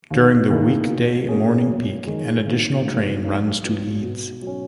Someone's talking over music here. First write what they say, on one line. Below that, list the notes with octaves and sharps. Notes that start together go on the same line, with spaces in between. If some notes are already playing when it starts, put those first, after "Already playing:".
During the weekday morning peak an additional train runs to Leeds.
D#2
D#3 A#3 E4 G#4
B2
A#3 C#4 G#4
F#2
D#3 G#3
G#1
G#2 F#3
B1
A#2 F#3 B3
B2
F#3 C#4